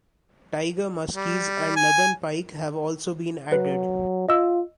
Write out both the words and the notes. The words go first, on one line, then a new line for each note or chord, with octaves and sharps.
Tiger muskies and northern pike have also been added.
G3
G#5
F#3 B4
F4 D#5 E6